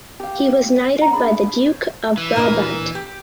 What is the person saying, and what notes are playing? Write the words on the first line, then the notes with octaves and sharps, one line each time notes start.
He was knighted by the Duke of Brabant.
G4 F5
F#5 A#5
D4 G#4 B5
C5 C#5
E3
D1 A#2 A#3 D4 A#4 D#5
G4